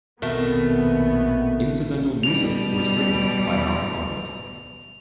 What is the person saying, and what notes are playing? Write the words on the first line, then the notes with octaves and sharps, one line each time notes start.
Incidental music was written by Malcolm Arnold.
A#1 D#2 B2 A3 B3 C4 A#4
B2 G3 F7